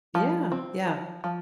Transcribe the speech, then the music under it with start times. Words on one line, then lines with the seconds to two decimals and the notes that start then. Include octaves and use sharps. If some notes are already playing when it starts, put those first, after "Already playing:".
Yeah. Yeah.
0.15 F3
0.52 C4
0.87 F3
1.24 F3